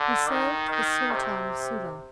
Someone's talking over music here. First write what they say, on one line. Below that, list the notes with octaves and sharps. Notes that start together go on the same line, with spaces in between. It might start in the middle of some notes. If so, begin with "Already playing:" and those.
We served the Sultan of Sula.
Already playing: D3
D#3
D#3
C3